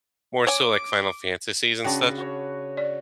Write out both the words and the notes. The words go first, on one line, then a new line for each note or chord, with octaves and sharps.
more, so, like, Final Fantasies and stuff.
C#5 G#5 D6
C#3 D4 F#4 B4 G5 A5
F#4 C#5
D5